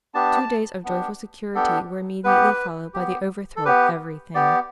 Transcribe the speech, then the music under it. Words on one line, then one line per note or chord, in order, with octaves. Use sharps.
Two days of joyful security were immediately followed by the over-throw of every thing.
B3 D4 G4 A5
B3 D4 G4
B3 D4 G4 A4
B3 G4 B4
B3 G4
A4
B3 G4 B4
B3 G4 D5